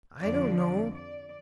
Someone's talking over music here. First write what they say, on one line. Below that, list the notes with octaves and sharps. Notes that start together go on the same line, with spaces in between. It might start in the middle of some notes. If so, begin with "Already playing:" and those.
"I don't know."
F2 D3 F3 D5
D5
D5